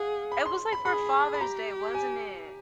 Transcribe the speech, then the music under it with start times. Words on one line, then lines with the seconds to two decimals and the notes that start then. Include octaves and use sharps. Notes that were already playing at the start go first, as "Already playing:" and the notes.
it was like for Father's Day, wasn't it?
Already playing: G#4 F5 F#5
0.32 B5
0.46 C6
0.72 B5
0.85 G#4 B5
1.34 B5
1.40 G4 A#5
1.94 G#5